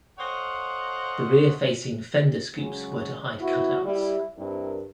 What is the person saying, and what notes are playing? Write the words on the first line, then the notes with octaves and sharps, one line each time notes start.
The rear-facing fender scoops were to hide cutouts.
A4 C5 C#5 D#5 F5 F#5
C#3 F#3 G#3
B3 E4 F#4
G3 E4
G2 C4 E4 A#4